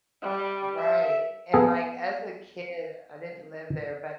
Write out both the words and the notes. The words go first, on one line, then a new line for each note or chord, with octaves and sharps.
Right, and, like, as a kid, I didn't live there, but
G3
E5
B3 G#4 A4